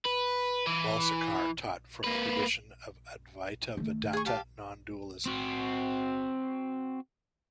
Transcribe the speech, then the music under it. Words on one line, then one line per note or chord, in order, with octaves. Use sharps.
Balsekar taught from the tradition of Advaita Vedanta nondualism.
B4
E3
A#3 B4
D#3 A3
G#4 C#6
G4 F5 A5
C4 F#4